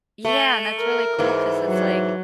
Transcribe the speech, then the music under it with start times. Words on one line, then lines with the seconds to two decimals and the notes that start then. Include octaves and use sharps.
Yeah, and that's really cool 'cause it's like
0.25 A3
0.79 A#4
1.19 G#2 E3
1.69 F#3